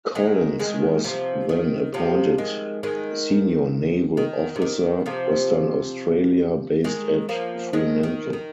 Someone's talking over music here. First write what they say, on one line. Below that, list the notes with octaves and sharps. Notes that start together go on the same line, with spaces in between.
Collins was then appointed Senior Naval Officer, Western Australia, based at Fremantle.
D#3 G#3
D#3 G#3
C3 F3
D#3
C3 F3
D#3 G#3
D#3 G#3
D#3
C3
D#3
C3 F3
D#3 G#3
F3 A#3
D#3 G#3
D#3
D#3